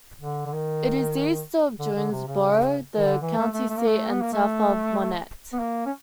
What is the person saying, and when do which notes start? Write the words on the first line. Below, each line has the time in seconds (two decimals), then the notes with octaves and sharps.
It is east of Jonesboro, the county seat, and south of Monette.
0.21 D3
0.46 D3
0.53 D#3
1.80 D3
1.96 D3
2.12 C3
2.27 C#3
2.98 D#3
3.06 D3
3.22 E3
3.38 A3
3.54 A3
3.70 A3
3.78 A#3
3.87 A3
4.11 B3
4.22 A#3
4.33 A3
5.53 B3
5.60 A#3
5.86 C#4